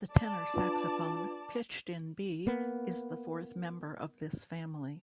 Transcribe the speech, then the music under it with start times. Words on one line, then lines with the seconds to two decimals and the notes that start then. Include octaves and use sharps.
The tenor saxophone, pitched in B, is the fourth member of this family.
0.15 D5 A5
0.54 D4 F4 B4
2.47 A#3 B3